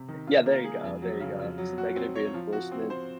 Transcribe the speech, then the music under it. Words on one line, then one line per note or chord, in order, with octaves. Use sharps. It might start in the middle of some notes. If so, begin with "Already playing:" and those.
Yeah, there you go, there you go, some negative reinforcement.
Already playing: C3
D#3
F4
A#3
G#4
F2
F#3
C#3
F2
F#3
F#4
C4
C#5
F3
F#4
C4
C5